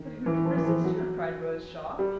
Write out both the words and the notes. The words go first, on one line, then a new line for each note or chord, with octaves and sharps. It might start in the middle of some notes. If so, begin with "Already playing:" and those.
"But who could resist her?" cried Rose Shaw.
Already playing: D#3
E3
F3
E3
F3
F#3
G3